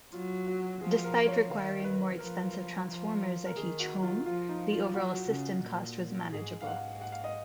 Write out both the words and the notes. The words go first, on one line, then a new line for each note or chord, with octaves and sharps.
Despite requiring more expensive transformers at each home, the overall system cost was manageable.
F#3 F4
F#4
F3 G#4
A#4
C#5
D#3 F5
B4
F3 A#4
F3
A#4
D#3 G#4
F#4
F4
F3 F4
D#4
F4
F#3 F#4
C#3
A#2
G#2 G#4
F5
G#2 F#5
F#5
F5
D#5